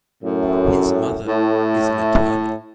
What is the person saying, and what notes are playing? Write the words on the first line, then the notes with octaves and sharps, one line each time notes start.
His mother is an Attorney.
F#2 A2
A2